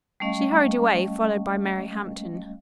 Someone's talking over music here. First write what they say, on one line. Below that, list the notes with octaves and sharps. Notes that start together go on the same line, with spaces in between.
She hurried away, followed by Mary Hampton.
G3 A3 C#4 D#5 F5